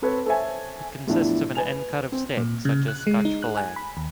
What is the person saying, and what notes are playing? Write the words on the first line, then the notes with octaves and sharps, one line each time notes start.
It consists of an end cut of steak, such as scotch fillet.
C4 A4 B4 C#5
A4 C5 C#5 E5 G#5
E2 A2 F3 D4 E4
B4 G#5 F7
C4
A#2
C#3
F#6
G#3
D#4
F#6
G#5
B5
D#2